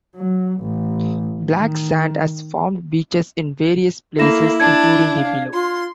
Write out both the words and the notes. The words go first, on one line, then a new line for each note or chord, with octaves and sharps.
Black sand has formed beaches in various places, including the below.
F#3
A1
D#3
A#3 E4 A4 B5 A#6 E7
D4 A5 G#6
F5
F4 C6